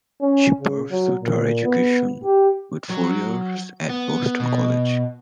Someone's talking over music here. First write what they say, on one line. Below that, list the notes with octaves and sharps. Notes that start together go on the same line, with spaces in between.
She pursued her education with four years at Boston College.
C#4
C#3
F#3
A#2
B3
G4
F#3
B3
B2